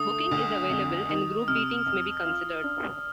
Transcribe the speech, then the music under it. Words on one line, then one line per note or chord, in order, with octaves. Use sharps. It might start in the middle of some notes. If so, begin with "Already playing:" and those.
Booking is available and group beatings may be considered.
Already playing: D3 A3 D#6
D2
F2
D#3
C3 F6
F2
F4
D4